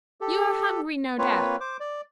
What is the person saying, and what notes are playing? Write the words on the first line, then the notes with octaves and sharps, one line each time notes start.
You are hungry, no doubt.
G4 A4
A#3 C4 F4 B4 C#5
C5 D6
D5